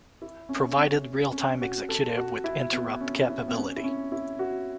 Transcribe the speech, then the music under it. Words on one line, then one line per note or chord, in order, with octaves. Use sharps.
Provided "Real Time Executive" with interrupt capability.
E4
C#4
C#4
C#4
F#4
A4
F#4
E4
B3
C#4
E4
B3
C#4
E4
C#4
E4
F#4